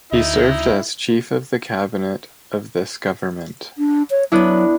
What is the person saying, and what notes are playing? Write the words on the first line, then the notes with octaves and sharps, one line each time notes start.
He served as Chief of the Cabinet of this government.
D2 D#4 E4 D#5
D4
C#5
F#3 B3 D4 E4